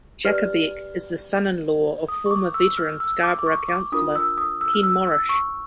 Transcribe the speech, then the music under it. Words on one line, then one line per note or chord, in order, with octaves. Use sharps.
Jakobek is the son-in-law of former veteran Scarborough councillor Ken Morrish.
G4 B4 D5 F6
D#6
C#6
D6
E6
F6
E6
D6
D6
C#6
D6
D4 F4 A#4 D#6
E6
D#6
E6
F6
E6
E6
C#6